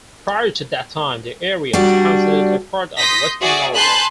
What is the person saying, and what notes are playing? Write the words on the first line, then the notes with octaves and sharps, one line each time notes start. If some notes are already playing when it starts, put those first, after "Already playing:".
Prior to that time, the area was considered a part of Western Norway.
G3 D4 F#4
C6 D#6 G6 A#6 B6
F#4 G#4 D5 E5
G#5 A5 B5 C6 F#6 G6